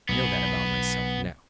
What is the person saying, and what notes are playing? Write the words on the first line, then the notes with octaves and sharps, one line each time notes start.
I know that about myself now.
B1 B3 G#4